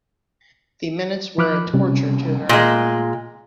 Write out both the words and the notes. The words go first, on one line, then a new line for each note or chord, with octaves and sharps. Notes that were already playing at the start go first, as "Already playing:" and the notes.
The minutes were a torture to her.
F3 B5 D6 F6 F#6
C3 G3 C#4
A#2 G#3